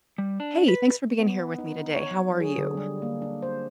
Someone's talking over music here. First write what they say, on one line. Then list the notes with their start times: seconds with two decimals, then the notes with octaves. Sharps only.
Hey. Thanks for being here with me today. How are you?
0.18 G3
0.40 D4
0.68 B4
1.20 B3
1.58 D#4
1.72 D#4
1.94 C#5
2.11 F#3
2.40 G#4
2.58 D3
2.77 G3
3.02 A#3
3.22 D4
3.42 C5